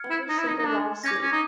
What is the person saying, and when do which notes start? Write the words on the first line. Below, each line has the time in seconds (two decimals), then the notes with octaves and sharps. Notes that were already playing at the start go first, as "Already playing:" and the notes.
Every single last seat.
Already playing: F6 G#6 C#7
0.10 E4
0.28 D#4
0.38 E4
0.47 D#4
0.58 D#4
0.66 D4
1.04 C#4 D6 G6 A#6
1.22 C#4
1.32 D#4